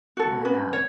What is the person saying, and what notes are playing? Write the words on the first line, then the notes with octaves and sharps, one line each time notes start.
and, um
F#4 A4
C#4 B4
C#5